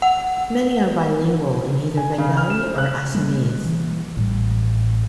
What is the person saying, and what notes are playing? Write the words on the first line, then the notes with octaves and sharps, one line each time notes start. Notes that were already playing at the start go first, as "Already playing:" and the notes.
Many are bilingual in either Bengali or Assamese.
F#5
G#5
C#3
F6
E7
C5
F#6
G3 G#3 A#3
E3
A1 A2 G3